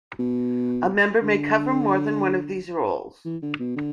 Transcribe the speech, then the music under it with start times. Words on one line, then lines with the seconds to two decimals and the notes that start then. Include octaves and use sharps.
A member may cover more than one of these roles.
0.19 B2
1.22 D3
3.25 E3
3.42 D3
3.59 B2
3.76 D3